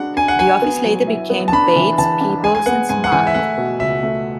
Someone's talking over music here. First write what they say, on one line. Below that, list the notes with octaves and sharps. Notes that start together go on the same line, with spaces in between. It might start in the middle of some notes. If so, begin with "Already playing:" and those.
The office later became Bates, Peebles and Smart.
Already playing: G#3 D4 F#4 F#5
D4 G#5
F#5
F#4 G#5
B3
F#3
E4
B3
A5
D4 B5
E3
E3 A5
D4
G#3 G#5
G#5
B3 F#5
G#2 G#5
F#5
E3 G#5
E5
A3 F#5
B2
C#2 E5
A3